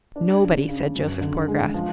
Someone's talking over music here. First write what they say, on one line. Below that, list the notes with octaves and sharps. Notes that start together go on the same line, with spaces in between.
"Nobody," said Joseph Poorgrass.
D4
C#3
C#3
F#2
D3
G#3
F3